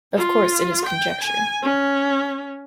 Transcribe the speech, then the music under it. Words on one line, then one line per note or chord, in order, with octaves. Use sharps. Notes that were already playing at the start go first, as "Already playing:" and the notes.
Of course it is conjecture.
F4
G5
G#5
C#4